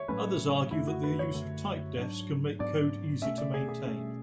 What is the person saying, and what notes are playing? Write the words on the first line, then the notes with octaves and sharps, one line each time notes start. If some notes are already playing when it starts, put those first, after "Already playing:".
Others argue that the use of typedefs can make code easier to maintain.
Already playing: C#5 E5
A2 F#3 A3 C#4 B4
F#2 D3 A3 E4
F#4
B4
C#5
F#2 D3 A3
G#2 F#3 B3 D4
G#2 F#3 B3 D4 D5
B2 A3 C#4 E5
D5
G#4
G#4
B2 A3 C#4